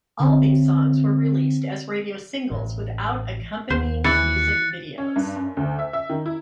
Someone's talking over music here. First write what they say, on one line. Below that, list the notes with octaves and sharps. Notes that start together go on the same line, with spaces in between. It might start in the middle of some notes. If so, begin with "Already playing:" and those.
All these songs were released as radio singles without accompanying music videos.
D3 C4
A1
D#2 C5
E3 F#6 A6 C#7
C#4
G2
F#2
D2
E5
E5
D#3
E4